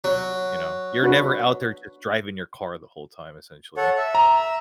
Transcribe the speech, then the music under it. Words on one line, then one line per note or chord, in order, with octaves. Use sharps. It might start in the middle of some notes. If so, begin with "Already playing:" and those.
you know, you're never out there just driving your car the whole time, essentially.
F#3
D4 F#4 B4
A4 C#5 F#5
E5
A#5